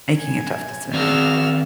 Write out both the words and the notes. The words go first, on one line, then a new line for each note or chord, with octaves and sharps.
making a tough decision?
G#5
D#3 C4 F#4 G#4 D5 E6 F6